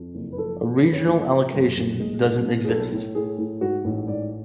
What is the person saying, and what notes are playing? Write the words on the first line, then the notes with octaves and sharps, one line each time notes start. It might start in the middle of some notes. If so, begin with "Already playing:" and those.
A regional allocation doesn't exist.
Already playing: F2
F#1
B4
F3 A4
A3
F#1 B4
C#5
B4
F3
F3
F#2
B1
G#3
B1
B2
G#4
B1 A4
A2
A2 G#4
A2
G#2 F#4
A1
G#2 D5